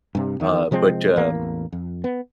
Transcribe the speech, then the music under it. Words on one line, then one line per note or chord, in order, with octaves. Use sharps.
uh, but, uh,
G2 C3
E2 D#3
C3 F3 G#3 C4
A1 E2 A#3
F2
B3